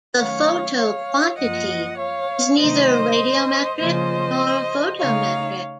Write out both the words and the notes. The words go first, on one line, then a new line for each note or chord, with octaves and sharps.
The photoquantity is neither radiometric nor photometric.
D#3 F#3 A3 C#4 C#5 F5
C#5 F5
F#2 F3 A#3 F4 D#5 F#5
C#5 F5
C3 D#3 F#3 A3 D#4 C5 D#5
C#3 F3 A#3 F4 C5 D#5
C#3 A3 D#4 C#5 F5